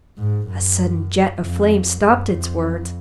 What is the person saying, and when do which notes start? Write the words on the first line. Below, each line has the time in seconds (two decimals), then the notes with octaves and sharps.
A sudden jet of flame stopped its words.
0.18 G#2
0.48 F#2
1.40 F2
2.02 F#2
2.32 F2